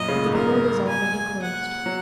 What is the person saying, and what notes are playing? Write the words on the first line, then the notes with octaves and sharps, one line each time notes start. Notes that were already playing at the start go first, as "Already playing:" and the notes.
But the door was already closed.
Already playing: F#2 A#2 D#5
C#3
A#2
G#2
F#2 A#2 A#4
G#5
F#5
F#3